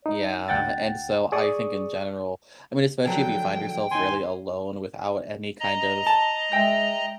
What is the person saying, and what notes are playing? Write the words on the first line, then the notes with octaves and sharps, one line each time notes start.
Yeah, and so I think in general I mean, especially if you find yourself really alone without any kind of
D#4
D2 F#5 G5 A6
G#4 D5 C#6 D#6
D3 F3 F#3 G5
D#2 D#4 G#5 C6
D#5 A#5
A5
G#3 E5 G5 A#6